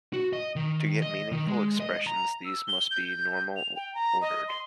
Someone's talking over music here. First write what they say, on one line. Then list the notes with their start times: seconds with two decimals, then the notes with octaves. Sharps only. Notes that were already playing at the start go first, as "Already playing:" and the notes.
To get meaningful expressions, these must be normal ordered.
0.13 F#4
0.33 D#5
0.56 D#3
1.02 D#5
1.32 D#3
1.47 G#3
1.80 D#5
2.07 A#5
2.45 E6
2.67 G7
2.91 G6
3.07 G6
3.56 F7
3.76 G5
3.94 A#5
4.21 D#5
4.48 C6